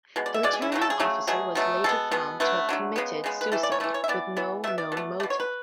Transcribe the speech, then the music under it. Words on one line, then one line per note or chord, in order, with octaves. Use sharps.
The Returning Officer was later found to have committed suicide with no known motive.
B2 G#3
D5
E5
B2 G#3 D5
G#4
E4
C#3 F#3 A3 F#4
A4
G#4
C#3 F#3 A3
B2 F#3 A3 G#4
B2 F#3 A3
B2 G#3 B3 A4
B2 G#3 B3
D3 F#3 A3 B4
D3 F#3 A3
C#3 G#3 B3
C#3 G#3 B3
B4
E3 A3 A4
D5
C#5
E3 A3 B4
C#5
E5
E3 B3 D5
E3 B3
B2 A3 E5
D5
B2
A3
B2 A3 D5
C#5
B4